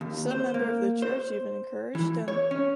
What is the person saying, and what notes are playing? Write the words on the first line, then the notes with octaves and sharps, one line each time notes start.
Some member of the church even encouraged him.
D#2
C5
A#3
C5
E3
C#5
C#4